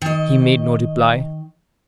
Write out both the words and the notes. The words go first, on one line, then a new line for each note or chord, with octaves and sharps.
He made no reply.
D#3 D#5